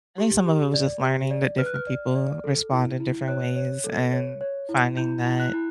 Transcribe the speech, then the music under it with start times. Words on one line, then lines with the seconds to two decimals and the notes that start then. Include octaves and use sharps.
I think some of it was just learning that different people respond in different ways and finding that
0.18 G4
0.46 G4
0.74 D5
1.03 G4
1.31 D5
1.58 B4 F6
1.66 F#6
1.74 F6
1.87 D5
2.15 D5
2.44 A4
2.72 E4
3.00 E4
3.28 C#5 F#6
3.56 C#5
3.84 A4
4.13 C#5
4.41 C#5
4.69 E4
4.97 E4 G6
5.26 E4
5.40 F#6
5.53 E4